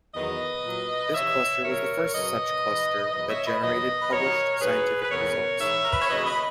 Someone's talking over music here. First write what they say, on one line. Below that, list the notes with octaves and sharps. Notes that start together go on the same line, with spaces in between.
This cluster was the first such cluster that generated published scientific results.
E2 D#3 F#3 B4 D#5
A#2 F#3
D#2 C#3 E3 C#5 E5
D#2 C#3 F#3 A#4 C#5
F#2 C#3 F#3 B4 D#5
G#2 E3
E2 D#3 F#3 B4 D#5
C#5 E5
B4 D#5
E2 D#3 F#3 B4 D#5
B4
D#2 D#3 F#3 A#4 C#5
G#2 F#3 G#4 B4
B4
E2 C#3 E3 A#4 C#5
G#2 E3 C#5 E5
A#4
B4
C#5
D#2 C#3 F#3 B4 D#5
B4 D#5